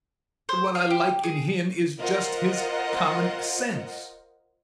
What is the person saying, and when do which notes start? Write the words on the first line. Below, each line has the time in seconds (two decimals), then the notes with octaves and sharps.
But what I like in him is just his common sense.
0.49 C5
0.75 F5
0.90 G4
1.23 G#4
1.99 F4 A#4 C5 D#5 F#5